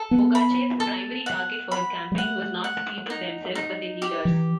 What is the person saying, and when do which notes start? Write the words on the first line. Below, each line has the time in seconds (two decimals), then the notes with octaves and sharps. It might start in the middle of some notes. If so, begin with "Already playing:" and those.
Pugachev's primary target for his campaign was not the people themselves, but their leaders.
Already playing: A4
0.11 B3
0.35 B5
0.80 A4
1.26 F#5
1.71 B5
2.12 G3
2.18 A3 F#5
2.64 F#5
3.10 D#4
3.55 D#4
4.02 G4
4.25 E3